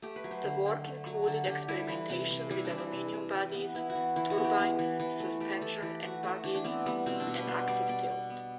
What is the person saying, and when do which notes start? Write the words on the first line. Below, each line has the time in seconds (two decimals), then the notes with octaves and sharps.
The work included experimentation with aluminium bodies, turbines, suspension and bogies, and active tilt.
0.02 A3 G4
0.16 B4
0.24 F#3
0.31 C5
0.44 D3
0.65 D3
0.86 A3
1.06 F#3
1.27 D3 A4
1.47 D3 G4
1.68 G3 E4
1.88 E3
2.10 C3
2.31 C3
2.51 G3 E4
2.65 D4
2.72 E3
2.78 C4
2.93 C3
3.13 C3
3.33 E3
3.55 B3
3.75 B3 E4
3.90 F#4
3.95 E3
4.16 E3 E4
4.30 F#4
4.38 B3
4.44 G4
4.58 B3
4.79 E3
5.00 E3
5.20 A3
5.40 A3 G4
5.61 E3 A4
5.82 E3 G4
6.03 A3 F#4
6.23 A3 F#4
6.44 E3 D4
6.55 D4
6.65 B3 C4
6.86 G3 B3
7.06 B2 C4
7.20 D4
7.27 B2
7.34 B4
7.47 B3 C5
7.68 G3 D5
7.89 B2 D5
8.10 B2
8.30 B3